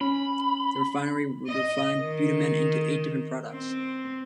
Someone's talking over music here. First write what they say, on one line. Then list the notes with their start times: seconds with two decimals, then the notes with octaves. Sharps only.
The refinery would refine bitumen into eight different products.
0.01 C#4 B5
1.48 D#5
2.00 D#3
3.52 C4